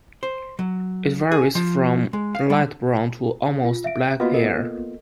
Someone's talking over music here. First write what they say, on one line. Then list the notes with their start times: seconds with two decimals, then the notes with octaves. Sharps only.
It varies from light brown to almost black hair.
0.23 C5
0.59 F#3
1.32 G#4
1.55 F3
2.13 G#3
2.35 F5
2.50 G3
3.65 F4
3.84 E5 F5 D7
4.20 A#3 B3 F4 F#4 D#5 F5
4.34 A4 A#4 D#5